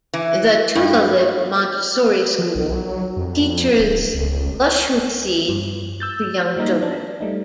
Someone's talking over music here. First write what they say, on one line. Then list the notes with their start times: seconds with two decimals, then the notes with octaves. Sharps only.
The Tulalip Montessori School teaches Lushootseed to young children.
0.14 E3
0.75 G2
2.38 F3
2.55 B1
2.71 F#3
3.16 F2
3.79 D1
4.14 C#2
5.49 G2
6.00 E6 G6 A6
6.56 F3 G3 A#3 D#4
6.83 D4
7.21 G3 A3 D#4